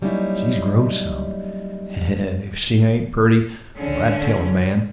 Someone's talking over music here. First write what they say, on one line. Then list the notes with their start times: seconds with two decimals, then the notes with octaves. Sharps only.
She's growed some--an' if she ain't purty, well I'd tell a man!
0.02 F#3 G3 A#3 C#4 D#4 E4
3.77 D3 C#4